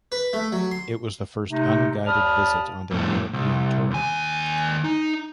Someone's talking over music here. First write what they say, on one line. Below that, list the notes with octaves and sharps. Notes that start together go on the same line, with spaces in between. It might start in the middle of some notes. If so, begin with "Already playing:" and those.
It was the first unguided visit on their European tour.
B4
A3
F#3
C6
C3 A3 D#4
D#2 D5 A5 B5 D#6 F6
F2 A2
C2
D#2 G#5
D#4